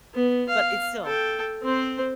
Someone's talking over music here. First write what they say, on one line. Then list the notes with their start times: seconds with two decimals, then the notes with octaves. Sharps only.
but it's still
0.14 B3
0.49 F5
1.04 A4 G5
1.63 C4 C5